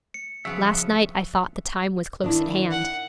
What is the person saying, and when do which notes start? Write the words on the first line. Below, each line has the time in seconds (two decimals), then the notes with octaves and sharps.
'Last night I thought the time was close at hand.
0.14 C#7
0.45 C#3 F3 F#3 B3 B4 E5
2.24 D#3 D4 E4
2.71 F#5